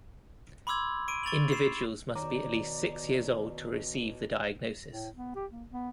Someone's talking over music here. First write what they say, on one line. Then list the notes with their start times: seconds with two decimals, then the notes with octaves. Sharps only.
Individuals must be at least six years old to receive the diagnosis.
0.67 B5 C6 D6 E6 G#6
1.08 C#6 D7 D#7
1.23 C#6 A6 F7 F#7
1.52 C7 E7
2.15 B2 D#3 C#5 D5 A#5 D6
4.89 A2
5.15 B3
5.35 G4
5.52 A#3
5.70 B3